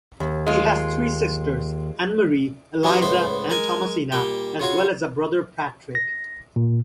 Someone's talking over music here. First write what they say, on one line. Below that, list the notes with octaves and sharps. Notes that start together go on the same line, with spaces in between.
He has three sisters, Anne-Marie, Eliza and Thomasina, as well as a brother Patrick.
D#2
G#3 F4
F#3 B3 C#4 D#4 F4 G4
C#2 A2 B3 C5 B5
G#3 A#4 G#5
A#2 G3 G5
C#3 F4 F#4 C#5
A#6
A#2